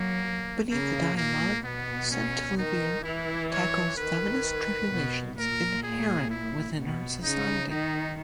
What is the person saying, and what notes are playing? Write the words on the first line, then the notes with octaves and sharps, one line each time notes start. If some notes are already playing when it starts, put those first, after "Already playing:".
Beneath the dialogue Centlivre tackles feminist tribulations inherent within her society.
Already playing: F#3 A#3
C#3 A#3
A#2 A#3
B2 B3
C#4
D#3 D#4
E3 E4
C#5
D#3 B4
B2
A#2 A#4
G#4
E4
B2
C#3 D#4
D#3 D#4